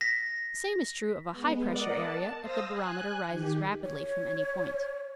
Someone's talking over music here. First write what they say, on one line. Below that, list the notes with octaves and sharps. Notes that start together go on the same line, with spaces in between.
The same is true of a high-pressure area, if the barometer rises rapidly from any point.
A#6 B6
G#3 B3
A#4 D5 D#5 F#5
A5
C5 F5 D#6 E6 A#6
G#5 F#6
D#3 G4
C#5